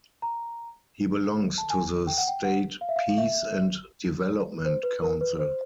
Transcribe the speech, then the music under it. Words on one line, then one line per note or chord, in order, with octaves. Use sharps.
He belongs to the State Peace and Development Council.
A#5
A5
G#5
G5
F#5
G5
F#5
F5
E5
F5
F5
E5
C5
B4
A#4
B4
C5